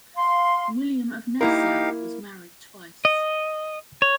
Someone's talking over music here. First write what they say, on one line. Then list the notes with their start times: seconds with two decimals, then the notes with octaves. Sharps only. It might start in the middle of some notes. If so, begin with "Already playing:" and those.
William of Nassau was married twice.
0.16 F5 C6
1.41 A#3 D#4 E4 G4 A#4 F5
3.05 D#5
4.02 C#5